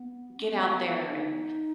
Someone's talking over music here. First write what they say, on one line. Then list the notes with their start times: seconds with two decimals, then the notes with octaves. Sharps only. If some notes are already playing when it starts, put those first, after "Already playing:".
get out there and,"
Already playing: B3
0.37 C#4
0.49 B3
1.10 D#4